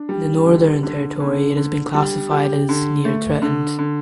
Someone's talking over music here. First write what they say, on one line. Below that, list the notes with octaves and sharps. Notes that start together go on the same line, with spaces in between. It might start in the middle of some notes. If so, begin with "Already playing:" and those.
In the Northern Territory it has been classified as "Near threatened".
Already playing: D4
G3
D3
D3
D3
D3
G3
G4
D3
A3
D3
D3